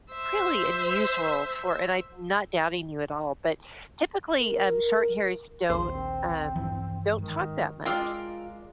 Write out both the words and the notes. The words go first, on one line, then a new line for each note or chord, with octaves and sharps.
really unusual for and I'm not doubting you at all, but, typically, um, shorthairs don't, um don't talk that much,
C5 E5
A#4
A#1 D#2 C5
C4
G2 E3 F3
G#2 D#3
G#3 F4 A#4 D5 G5 E6 F6